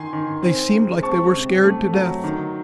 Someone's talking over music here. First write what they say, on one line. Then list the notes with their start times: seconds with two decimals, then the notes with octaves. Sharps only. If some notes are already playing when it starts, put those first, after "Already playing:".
They seemed like they were scared to death.
Already playing: D#3 G#5 C6
0.13 D#3
0.42 C4
0.73 G#3
1.02 C4 A5 C#6
1.33 C3
1.64 A3
1.93 F#3
2.24 D#3